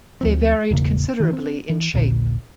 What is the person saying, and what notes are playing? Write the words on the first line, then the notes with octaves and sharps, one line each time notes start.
They varied considerably in shape.
D2 F3 C4
E1 A1 C#3 A#3
D#3 E3
C4
E3
D#1 A#1 A#2 D3